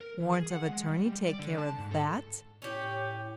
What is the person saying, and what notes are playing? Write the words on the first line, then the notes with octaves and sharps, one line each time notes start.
Warrant of attorney--take care of that.
A#4
E3
G#4
F#5
G#3
G3
G3
D5
D3
A5
G#2
A4
A2 C#4 G4